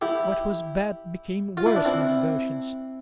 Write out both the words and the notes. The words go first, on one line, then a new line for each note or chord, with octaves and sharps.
What was bad became worse in his versions.
E4 G4
F4
E4
D4
C4 E4